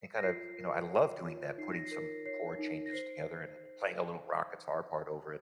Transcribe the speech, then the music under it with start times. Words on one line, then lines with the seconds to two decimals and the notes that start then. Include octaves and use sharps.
and kind of" you know, I love doing that, putting some chord changes together and and playing a little rock guitar part over it,
0.18 A#6
0.23 F4 C7
0.58 A#4
0.91 C#5
1.25 F4
1.58 D#4 C7
1.72 A#6
1.85 C7
1.91 A#4
2.26 C#5 C7
2.59 D#4
2.86 A#6
2.92 C5 C7